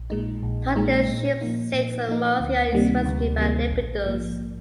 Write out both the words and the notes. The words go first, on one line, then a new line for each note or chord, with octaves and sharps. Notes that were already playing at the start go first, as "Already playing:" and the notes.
Totila’s ship sinks and Marzia is rescued by Lepidus.
Already playing: A#1
A#2 G#3 D#4
A#1
A#2 G#3 D#4
A#2
F3 A#3 D#4
A#2
F3 A#3 D#4
D2
C3 D#3 G3 A#3
D2
C3 D#3 G3 A#3
A#1
G#2 F3 A#3